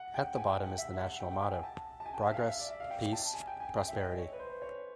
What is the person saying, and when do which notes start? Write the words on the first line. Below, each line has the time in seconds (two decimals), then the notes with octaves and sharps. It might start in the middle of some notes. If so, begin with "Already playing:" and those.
At the bottom is the national motto: Progress - Peace - Prosperity.
Already playing: F#5
0.14 G5
0.35 G#5
0.49 G5
0.63 F#5
0.78 E5
1.00 F#5
1.20 G5
1.31 G5
1.41 G#5
1.52 G#5
1.63 A5
2.00 A5
2.06 G#5
2.14 G5
2.20 G#5
2.29 E5
2.34 F5
2.48 E5
2.59 D5
2.70 E5
2.80 F5
2.91 G5
3.13 A5
3.33 G#5
3.47 G5
3.60 G#5
3.76 G5
3.88 E5
3.98 D#5
4.18 C#5
4.33 B4
4.39 C5
4.62 C#5